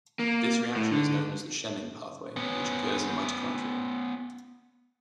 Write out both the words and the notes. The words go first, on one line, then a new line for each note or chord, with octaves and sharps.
This reaction is known as the Shemin pathway, which occurs in mitochondria.
A#3
A2
D3
B3 C#4